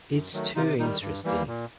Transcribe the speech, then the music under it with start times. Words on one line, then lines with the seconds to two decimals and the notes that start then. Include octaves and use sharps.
It's too interesting.
0.10 F#2
0.33 D#3 F#3 A3
0.55 C3 D#4 F4
0.79 D#3 G3 D#4
1.02 G2
1.24 E3 G3 A#3
1.47 A#2